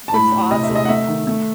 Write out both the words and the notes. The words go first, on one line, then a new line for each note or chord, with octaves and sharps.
which is awesome,
A5
A2 B5
A2
C3 D#5
E5
C3
D#5
F#5
A3 E5
D#3
A3